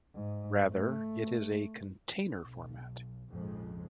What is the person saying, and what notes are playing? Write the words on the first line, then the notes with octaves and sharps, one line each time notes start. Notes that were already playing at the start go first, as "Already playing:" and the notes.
Rather, it is a container format.
G#2
A3
B1
A#1 F2 G#2 C#3 F3 G#3